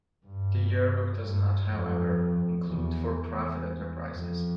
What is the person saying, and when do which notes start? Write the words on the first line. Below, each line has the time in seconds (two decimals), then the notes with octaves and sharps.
The Yearbook does not, however, include for-profit enterprises.
0.26 G2
1.23 G2
1.71 F2
2.68 E2
3.17 E2
4.14 F2